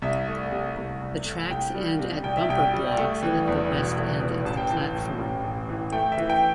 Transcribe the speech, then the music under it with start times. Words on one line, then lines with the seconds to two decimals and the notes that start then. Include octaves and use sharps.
The tracks end at bumper blocks at the west end of the platform.
0.02 C2 E5
0.27 A3
0.51 C3
0.77 C2
1.01 C2
1.25 A3
1.49 C2 G5
1.74 G3
1.99 C3
2.23 C2 G5
2.37 E5
2.48 C2 G5
2.73 G3
2.98 A3
3.23 E3
3.47 E2
3.71 E1
3.95 A3
4.21 E3
4.45 A1 A5
4.57 G5
4.69 E3 A5
4.95 A2
5.19 A1
5.44 A1
5.69 E3
5.92 A3 G5
6.12 E5
6.18 E3
6.30 G5